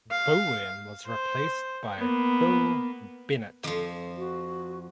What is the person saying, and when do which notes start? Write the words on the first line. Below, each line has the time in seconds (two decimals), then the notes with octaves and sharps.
Bowen was replaced by Phil Bennett.
0.11 F5
1.07 C5
1.98 A#3 B3
3.64 F2 F3
4.17 F#4